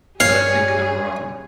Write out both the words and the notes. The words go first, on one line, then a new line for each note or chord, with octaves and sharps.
But I think I'm wrong.
G2 G3 G#4 C#5 F5